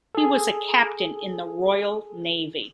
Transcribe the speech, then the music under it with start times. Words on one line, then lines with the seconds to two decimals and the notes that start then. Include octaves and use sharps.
He was a Captain in the Royal Navy.
0.15 G#4 A4